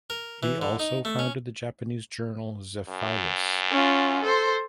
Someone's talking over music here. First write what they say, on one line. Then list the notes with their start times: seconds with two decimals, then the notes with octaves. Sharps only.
He also founded the Japanese journal "Zephyrus".
0.10 A#4
0.43 E3
0.62 D3
0.79 D#4
1.05 A3
1.19 C#4
2.89 F#2
3.71 C#4 F4
4.23 A4 C5